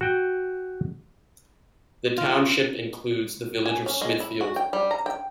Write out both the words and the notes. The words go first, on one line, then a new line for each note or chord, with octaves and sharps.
The township includes the village of Smithfield.
F#4 G5
F4
G#5
C#4
G#3
E4
F#4
G5
G3
A#5
G5